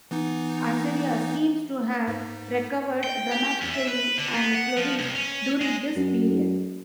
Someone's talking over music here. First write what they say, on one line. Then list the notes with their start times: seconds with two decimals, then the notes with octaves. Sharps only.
Assyria seems to have recovered dramatically, and flourished during this period.
0.11 E3 B3 D#4
2.08 G#2
3.04 G5
3.31 G4
3.61 E2
3.74 E5
3.88 B4
4.18 D3
4.35 B3
4.55 F#5
4.77 F3
4.99 C2
5.15 C#4
5.61 G#3
5.96 F#2